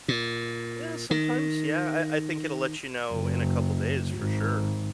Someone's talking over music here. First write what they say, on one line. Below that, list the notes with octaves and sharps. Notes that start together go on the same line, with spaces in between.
Eh, sometimes, yeah, I I think it'll let you know in a couple days for sure.
A#2
D#3
F#1
G#1